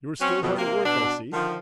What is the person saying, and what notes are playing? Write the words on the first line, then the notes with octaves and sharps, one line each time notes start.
"You are still hard at work, I see?"
F#3 C4 C#4
F2 B2
C3 A#3
B2 D4
D3 D#3 F3